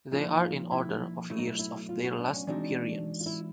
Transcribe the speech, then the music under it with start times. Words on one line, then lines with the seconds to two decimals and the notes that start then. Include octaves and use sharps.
They are in order of years of their last appearance.
0.12 A#2 F3 A#3 D#4 F4
0.42 F4
0.71 E4
1.30 B2 F#3 A3 E4
1.39 D#4
1.47 E4
1.59 E4
1.89 F4
2.04 F#4
2.18 D4
2.33 C#4
2.47 E3 G#3 C4 D4 D#4 F#4
3.20 F4
3.26 E4